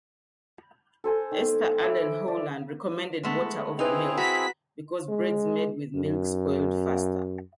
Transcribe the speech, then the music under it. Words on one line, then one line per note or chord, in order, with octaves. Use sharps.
Esther Allen Howland recommended water over milk because breads made with milk spoiled faster.
A4 C5 G#5 A#5
D#3
E5 B5 D6
C5
D5
G#3 A3 B3
C4 D#4 E4 G#4 B4 F7
F#4 A#5 B5 B6
G#3
F#2